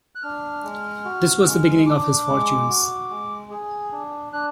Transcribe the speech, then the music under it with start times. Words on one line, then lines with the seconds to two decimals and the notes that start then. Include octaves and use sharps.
This was the beginning of his fortunes.
0.15 F#6
0.23 D4 F6
0.64 G#3
1.05 F#4
1.46 G#3
1.87 D4 D6
2.27 G#3
2.69 F#4
3.10 G#3
3.51 G#4
3.92 D4
4.33 D4 F#6